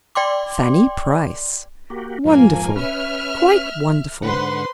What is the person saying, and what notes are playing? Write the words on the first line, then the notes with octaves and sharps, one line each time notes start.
Fanny Price! wonderful, quite wonderful!
D5 G5 C6 D6
A#3 F#4 G4
F2 G#2 F3 A#3 G#5
C#4 B4 E5 F6
G#2 D3 B4 C5 F#5 C6